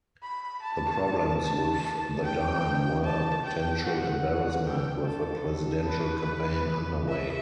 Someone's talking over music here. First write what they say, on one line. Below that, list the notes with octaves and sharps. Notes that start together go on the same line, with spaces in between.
The problems with the dime were a potential embarrassment with a presidential campaign underway.
B5
A5
A5
A5
G5
A5
G5
F#5
G5
A4
B4
E5